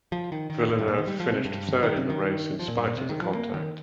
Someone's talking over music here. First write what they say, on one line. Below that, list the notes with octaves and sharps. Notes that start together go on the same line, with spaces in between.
Villeneuve finished third in the race in spite of the contact.
F3
D#3
D#3
A#2
G2
A#2
D#3
G3
F3
C3
G2
D#3
C3
D#3
F3
A#2
G2
A#2
C3
D#3
F3
A#3
D#3